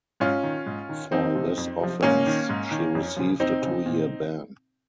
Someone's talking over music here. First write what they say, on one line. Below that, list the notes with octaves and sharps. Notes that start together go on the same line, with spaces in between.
For this offence she received a two-year ban.
G#2 C#4 F4
D#3
G#2
D#3
F2 C4 D#4
C3 F3
F2
C3 F3
G#2 A#3 C#4
D#3
G#2
D#3
F2
C#3 F3
F2 C4 D#4
C#3 F3
A#2